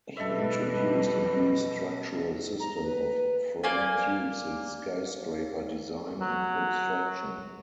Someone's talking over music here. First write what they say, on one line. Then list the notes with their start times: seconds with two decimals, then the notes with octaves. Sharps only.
He introduced a new structural system of framed tubes in skyscraper design and construction.
0.17 B2 G3 A4 B4 D#5 E5
2.60 A#5
2.82 B4
3.64 A#3 D5 G#5
6.21 F#3